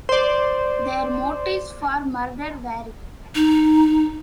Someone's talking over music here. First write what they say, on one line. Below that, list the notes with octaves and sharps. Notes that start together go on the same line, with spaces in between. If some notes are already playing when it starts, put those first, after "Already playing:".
Their motives for murder vary.
C5 D5
D#4